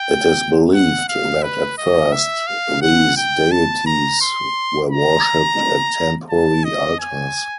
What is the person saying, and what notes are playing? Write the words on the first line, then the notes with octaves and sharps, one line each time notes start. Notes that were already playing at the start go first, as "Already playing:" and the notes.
It is believed that, at first, these deities were worshiped at temporary altars.
Already playing: G5
F#5
F5
B4
D#5
E5
F5
F#5
G5
A5
A#5
C6
A#5
A5
D#5
G#5